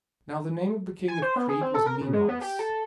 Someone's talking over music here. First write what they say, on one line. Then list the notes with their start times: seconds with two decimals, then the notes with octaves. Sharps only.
Now the name of the King of Crete was Minos.
1.08 G#5
1.22 C5
1.36 B3
1.49 G#4
1.61 C4
1.74 A4
1.86 A#4
2.01 C#3
2.13 G#3
2.28 B3
2.41 G4
2.59 A4